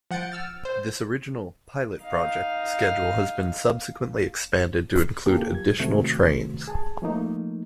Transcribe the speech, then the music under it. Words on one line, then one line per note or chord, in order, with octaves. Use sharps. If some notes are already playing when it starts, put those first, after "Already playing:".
This original "pilot project" schedule has been subsequently expanded to include additional trains.
F3 F#5 G6 A6 C#7 D7
E6 F6 A6
C5
D#4 F5
A#3 F4 G4 A4
F#3 G#6
F#2 C3 D#3 A3 C4 F#4
G#4 G#5 A5
F3 A3 A#3 D#4